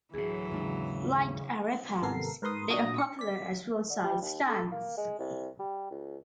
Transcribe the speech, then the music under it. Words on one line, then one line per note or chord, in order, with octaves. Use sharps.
Like "arepas", they are popular at roadside stands.
D2 A2 E3 F#3 G#4
D#2 G#2 C#3 D4
G#1 C3 B3 A4 A#4 C7
G#2 A#4 B4 C6 D#6
A#2 D4 F#4 D#6 A#6
C#7
D5 B6
D3
G3
D#2
A4
A#3
G#3
C2
G3
C#2